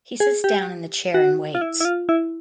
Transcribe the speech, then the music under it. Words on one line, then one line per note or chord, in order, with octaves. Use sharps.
He sits down in the chair and waits.
G#4
G4
F#4
F4
E4
E4
F4
E4